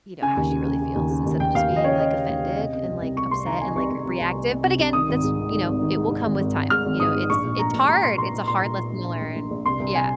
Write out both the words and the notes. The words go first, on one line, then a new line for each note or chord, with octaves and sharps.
you know, how she really feels instead of just being, like, offended and, like, upset and, like, r reactive, but, again, that's you know, it will come with time, you know, it's it's hard, it's a hard lesson to learn, yeah.
C#3 G#5
D#2
C#3
C#3
C#3
D#2
C#3
D#2
D#2 G5
D#2 F5
D#2
D#5
C#3 C#5
C#3 D#5
C#3
D#2
C#3
C3
C3
C2
C2
C2 C#6
C2 C6
D#3 A#5
C3 G#5
C2 C#6
C2
C2
C2
C2
C2
C3
C2
D#3 D#6
G#1
G#2
D#3
D#3
G#1
D#3
G#2
G#2
G#1
G#1
G#1
G#2 F6
G#1
G#2 D#6
G#2
A#1 C#6
A#2
A#1 A#5
A#1
A#1 A#5
A#2 C6
A#2 C6
A#2
A#2 C6
A#2
A#2
A#1
A#2
A#1
A#1
A#1
C2 C6
C2
C3 G#5